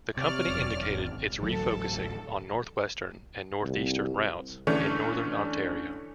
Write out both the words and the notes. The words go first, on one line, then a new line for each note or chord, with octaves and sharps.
The company indicated it's refocusing on northwestern and northeastern routes in Northern Ontario.
C3 C#5 D5 F6
E1 F#2
G#1
A1 D2 F#3 A4
C2
D3 E3 A3 C#4